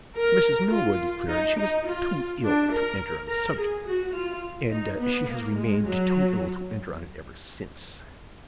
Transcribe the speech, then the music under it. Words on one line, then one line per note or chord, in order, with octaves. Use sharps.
Mrs. Milroy declared she was too ill to enter on the subject, and she has remained too ill to enter on it ever since.
A#4
F4
D#4
D#4
F4
D4
A#4
A#4
G#4
F#4
F4
D#4
B3
A#3
G#3
F#3